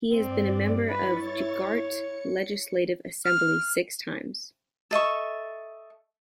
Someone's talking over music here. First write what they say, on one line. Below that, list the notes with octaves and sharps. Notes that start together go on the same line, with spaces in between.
He has been member of Gujarat Legislative Assembly six times.
G2 C4 D5
E4 B4 C#6 A6
C#5
C#7
F6
A4 D#5 E5 C#6